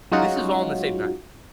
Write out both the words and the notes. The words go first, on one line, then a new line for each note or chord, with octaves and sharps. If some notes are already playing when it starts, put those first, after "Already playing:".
This is all in the same night
F#3 G#3 C#4 D#4 F4 F#4